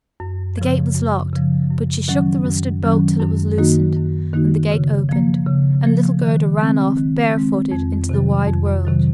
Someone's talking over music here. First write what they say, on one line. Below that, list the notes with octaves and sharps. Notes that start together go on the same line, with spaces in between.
The gate was locked, but she shook the rusted bolt till it was loosened, and the gate opened; and little Gerda ran off barefooted into the wide world.
F#2
C#3 F3
F#2
C#3 F3
F#2
D#3 F#3 C#4
F#2
D#3 F#3 C#4
F#2
D#3 A#3 D#4 F#4
F#2
D#3 A#3 D#4 F#4
C#3
F3 A#3
C#3
F3 A#3
D#3
G#3 C4
D#3
G#3 C4
F2
C3 D#3 F#3
F2
C3 D#3 F#3